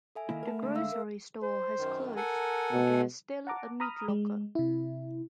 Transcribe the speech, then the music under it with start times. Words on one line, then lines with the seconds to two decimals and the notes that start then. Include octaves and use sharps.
The grocery store has closed, but there is still a meat locker.
0.15 A4 E5 G#5
0.29 D#3 A#3 E4 B5
0.43 A3 A#4 F#5 A5
0.62 D3 G#3
0.75 E5 F5 E6
0.91 A#4
1.42 C5
1.77 F#2 D#3
2.16 A4 A#4 F#5 G#5
2.72 B2
3.47 F#5 A5 A#5 D6
3.80 A#5 B5 D#6 F6
4.08 G#3
4.55 C3 E4